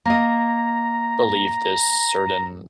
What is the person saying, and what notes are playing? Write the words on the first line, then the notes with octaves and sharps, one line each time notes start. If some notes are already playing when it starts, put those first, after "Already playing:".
believe this certain
A#3 D#5 A#5